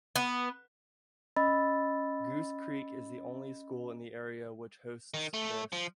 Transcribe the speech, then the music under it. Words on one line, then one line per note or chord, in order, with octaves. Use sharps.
Goose Creek is the only school in the area which hosts this.
B3
C#4 D#5 B5 E6 A6
D#3
A3
F3